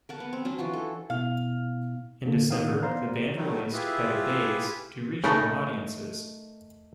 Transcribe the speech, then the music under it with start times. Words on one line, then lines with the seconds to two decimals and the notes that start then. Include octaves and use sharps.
In December the band released "Better Days" to regional audiences.
0.09 A#4 F#5 A5
0.20 B3
0.33 C4
0.45 F#3 C#4 D4
0.58 E3 F4 F#4
0.73 A4
1.10 B2 B3 E4 F5
2.26 D3 A#3
2.49 A2 D#3 F5 F#5 D#6
2.83 B3 C5 D5 F5 A#5
3.35 D#3 F#3 G3 A3 D#4
3.73 E4 F4 G4 G#4 B4 E5
5.24 C#3 A3 D#4 A#4 B4 A5